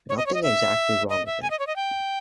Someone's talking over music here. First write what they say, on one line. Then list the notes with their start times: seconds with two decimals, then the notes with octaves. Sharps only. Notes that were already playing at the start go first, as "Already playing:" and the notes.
Nothing exactly wrong with it.
0.09 C#5
0.17 D#5
0.26 C#5
0.34 D#5
0.43 E5
1.09 D#5
1.26 E5
1.42 G#5
1.50 D#5
1.59 C#5
1.67 D#5
1.76 G5